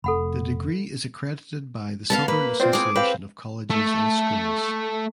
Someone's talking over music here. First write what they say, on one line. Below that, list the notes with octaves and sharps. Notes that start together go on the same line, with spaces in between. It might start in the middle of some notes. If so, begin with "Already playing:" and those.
The degree is accredited by the Southern Association of Colleges and Schools.
F1 A4 F#5 B5
B3 C#4 F5 A5
A#3 B4 B5
C4 F4 C5 D5
A2 G#4 D6
C4 B4 C5 F5
A3